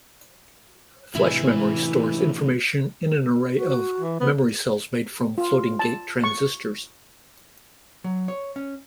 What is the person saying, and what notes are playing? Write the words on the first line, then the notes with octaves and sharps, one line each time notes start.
Flash memory stores information in an array of memory cells made from floating-gate transistors.
A2 C3 E3 E4 B4
F#4
E3
B3 C5
F4
A5
C#6
F#3
C#5
C#4